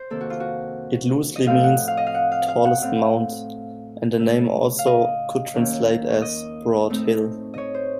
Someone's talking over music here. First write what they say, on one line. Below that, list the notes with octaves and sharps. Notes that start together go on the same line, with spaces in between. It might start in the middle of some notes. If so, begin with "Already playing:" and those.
It loosely means "Tallest Mount", and the name also could translate as "Broad Hill".
Already playing: C5
F2 C3 D#3 A#3 A4
F#4
F4
F#4
D#5
A2 F3 C4 F5
F#5
F5
D#5
F5
F#5
F5
F5
F#5
A2 A3 C4 F5
C#3 A3 D#4
F5
D#5
D#2 D#3 A#3 C#4
D#5
A2 A3 C4 D#4
C#5 D#5
C5